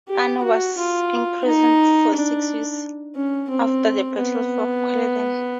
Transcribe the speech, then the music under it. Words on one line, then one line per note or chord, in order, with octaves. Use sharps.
Anne was imprisoned for six weeks after the Battle of Culloden.
G4
F#4
F4
D#4
D4
C#4
C4
B3